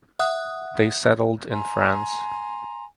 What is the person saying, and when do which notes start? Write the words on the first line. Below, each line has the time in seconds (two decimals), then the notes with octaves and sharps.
They settled in France.
0.19 E5 F#5 D#6 F#6
1.51 G#5 A#5 C6